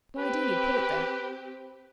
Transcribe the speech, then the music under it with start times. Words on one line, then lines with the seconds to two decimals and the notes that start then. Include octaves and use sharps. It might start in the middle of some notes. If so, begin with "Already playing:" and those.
No idea you'd put it there.
0.18 C4 G4 B4